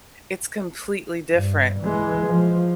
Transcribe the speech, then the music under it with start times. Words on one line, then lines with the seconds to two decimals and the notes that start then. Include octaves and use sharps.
it's completely different
1.32 G2
1.80 E3 G#3
2.26 F3